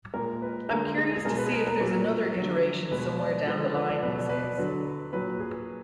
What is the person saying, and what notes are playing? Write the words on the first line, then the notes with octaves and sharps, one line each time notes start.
I'm curious to see if there's another iteration somewhere down the line, he says.
A#2 G#3 A#4
B4
D3 G#3 A#4
G#4
G#4
B2 G#3 A#4
B4
G#4
A#4
A#4
A#2 F#3 B4
A#4
F#3
D3
B2 G#3 B4
D5
D3 F3 G#3 B4
B4
D5
B2 F#3 B4
D5
B4
D5
D3 F#3 B4
A#2 F#3 B4
G#4